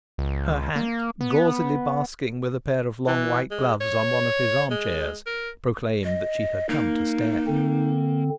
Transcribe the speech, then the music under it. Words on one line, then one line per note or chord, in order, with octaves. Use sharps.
Her hat, gauzily basking with a pair of long white gloves on one of his arm-chairs, proclaimed that she had come to stay.
C#2
A#3
B3
E3
G#3
C#5
G#3
A#4
D#5
A#3 D#4
D3 C4